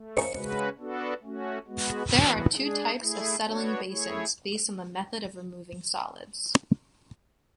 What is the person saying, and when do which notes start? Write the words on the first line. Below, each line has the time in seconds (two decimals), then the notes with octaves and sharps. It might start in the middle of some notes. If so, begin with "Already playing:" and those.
There are two types of settling basins, based on the method of removing solids.
Already playing: A3
0.33 C#3 G#3 C#4 F#4 B4
0.78 B3 D4 F#4 A4
1.23 A3 C#4 F#4
1.67 G#3 B3 F#4
2.11 E3 B3 F#4
2.56 G#3 D4 G#4
3.00 A3 E4 G#4
3.45 B3 D4 F#4 C#5
3.89 A3 E4 G#4 C#5